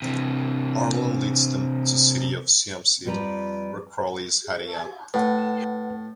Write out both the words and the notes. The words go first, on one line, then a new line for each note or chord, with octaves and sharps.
Arlen leads them to city of Siam-Sid, where Crowley is hiding out.
C3 E3
F2 F3 G3 B4 A#5
A2 B4 F#5